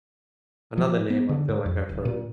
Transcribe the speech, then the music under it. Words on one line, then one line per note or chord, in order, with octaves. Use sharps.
Another name I feel like I've heard.
F3
B3
D3
G#2
F2
D1
A#2